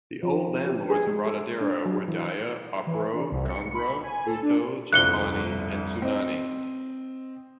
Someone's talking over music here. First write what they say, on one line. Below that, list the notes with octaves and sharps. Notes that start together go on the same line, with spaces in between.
The old land lords of Ratodero were Daya, Abro, Ghanghra, Bhutto, Jalbani and sunnani.
F3
G4
G#4
G#3
A4
D4
F#3
E3
E3
D4
C2
C#7
B5
G#5
A4
D4
G1 C2 F2 F#6 C#7 G7
C4 D#5